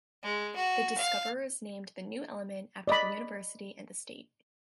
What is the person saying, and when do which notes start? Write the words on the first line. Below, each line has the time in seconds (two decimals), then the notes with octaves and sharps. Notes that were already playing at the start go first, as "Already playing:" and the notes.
The discoverers named the new element after the university and the state.
0.23 G#3
0.56 F#4
0.97 F5
2.87 D5 D#5 B5